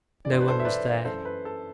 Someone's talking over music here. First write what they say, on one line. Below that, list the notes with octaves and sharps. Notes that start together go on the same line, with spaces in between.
No one was there.
G2 E3 C5 D5
B4
A4 C5
E5
B4 D5
F#2 E3 A4 C5
B4
A4